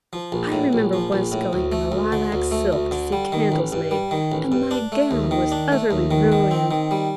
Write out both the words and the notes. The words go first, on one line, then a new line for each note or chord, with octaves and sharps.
I remember once going in a lilac silk to see candles made, and my gown was utterly ruined.'
F3
A#1
A2
A#1
F3
A#1
A2
D2
A3
D2
D3
D2
A3
D2
D3
G3
D#3
A1
G2
G3
D#3
A1
G2
D4
A3
D#2
D#3
D4
A3
D#2
D#3
D#3
C4
D#3
G3